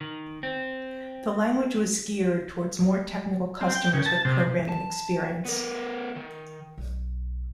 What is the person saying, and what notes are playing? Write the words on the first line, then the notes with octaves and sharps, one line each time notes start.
The language was geared towards more technical customers with programming experience.
D#3
C4
C4
G5
C#3
A5
C3
A5
B3 A#4
D#3
B1